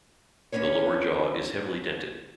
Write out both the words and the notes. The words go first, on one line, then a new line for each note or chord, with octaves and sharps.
The lower jaw is heavily dented.
A#3 B3 C#4 D4 C#5